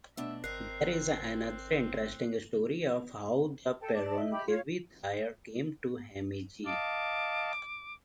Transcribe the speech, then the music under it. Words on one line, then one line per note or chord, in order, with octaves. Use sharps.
There is another interesting story of how the Perun Devi Thayar came to Hemmige.
B2 A3 D4 E5
G#1 C4 A#4 D#5 F#6 C7
A4 G5
D5 A5
D#5 E5
G4 B5
F4 C#5 F5
D#5 F5 A5 D6